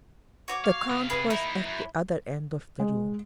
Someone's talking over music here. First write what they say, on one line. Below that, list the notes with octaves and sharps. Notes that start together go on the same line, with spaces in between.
The count was at the other end of the room.
F#4 C#5 D6
F5
C3 F5
G#4 B4
A#3 D#4 E4
F#2
G#3